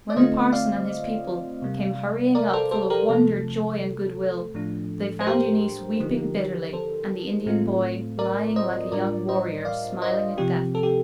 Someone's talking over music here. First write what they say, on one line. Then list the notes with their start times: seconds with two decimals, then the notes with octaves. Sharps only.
When the parson and his people came hurrying up full of wonder, joy, and good-will, they found Eunice weeping bitterly, and the Indian boy lying like a young warrior smiling at death.
0.10 D5
0.16 D3 A3 C4 F4 C5 D#5
0.52 D5 F5
1.62 C3 G3 A#3
2.35 A#4 D5
2.53 A4 C5
2.71 A4 C5
2.90 G4 A#4
3.09 C3 F3 A3 A4
4.54 A2 F3 A3 D4
5.21 C5
5.27 G4 A#4
6.00 D3 F3 A#3 D#4
6.73 A4 C5
7.46 A2 A3 C4 F4
8.19 A#4 D5
8.56 C5 D#5
8.92 A2 G3 D4 F4 A#4 D5
9.29 C5 D#5
9.65 D5 F5
10.02 C5 D#5
10.37 C3 F3 C4 G4
10.75 A4
10.83 G4